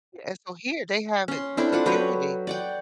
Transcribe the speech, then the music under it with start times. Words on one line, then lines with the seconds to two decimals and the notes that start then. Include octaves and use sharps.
Yeah, so here, they have it, the security.
1.28 C#4 C6
1.57 C4 D4 E4 A4
1.73 F4 F#5 D6
1.86 F#3 B4 C#5 G5
2.47 D5 F#5 G5